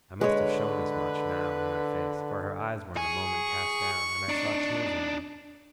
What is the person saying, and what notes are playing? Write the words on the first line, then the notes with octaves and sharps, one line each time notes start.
I must have shown as much, now, in my face; for her eyes were in a moment cast down, and I saw tears in them.
D3 G#3 B4 C#5
G#4 C#6
D4 D#4